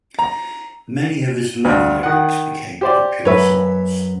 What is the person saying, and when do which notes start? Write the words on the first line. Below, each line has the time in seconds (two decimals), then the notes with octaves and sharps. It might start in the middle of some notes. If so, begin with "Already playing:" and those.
Many of his love lyrics became popular songs.
0.19 A#5
1.65 D2 G2
2.03 D#3 F#5
2.81 G4 C5 D5
3.25 F#2 B4 C#5 E5